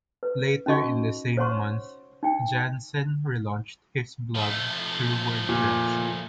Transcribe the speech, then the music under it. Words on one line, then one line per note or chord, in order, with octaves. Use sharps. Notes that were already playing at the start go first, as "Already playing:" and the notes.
Later in the same month, Jansen re-launched his blog through WordPress.
B4
C#4 D#4 F#4 D#5 C#6
C5 C#5 F#5 C6 C#6
D#4 G5
F3 A3
A#2